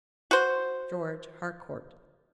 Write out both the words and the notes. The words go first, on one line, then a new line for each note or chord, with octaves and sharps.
George Harcourt.
F#4 C5